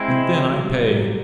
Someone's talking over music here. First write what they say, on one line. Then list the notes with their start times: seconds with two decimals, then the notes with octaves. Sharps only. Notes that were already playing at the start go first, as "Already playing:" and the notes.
And then I pay.
Already playing: G#3 C4 E4
0.53 F#3
0.63 G3
0.89 F#3